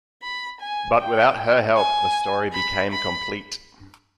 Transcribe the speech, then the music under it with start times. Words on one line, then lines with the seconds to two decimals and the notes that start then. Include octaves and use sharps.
But without her help the story became complete.
0.23 B5
0.61 G#5
0.99 G5
1.76 G#5
2.53 B5
2.92 B5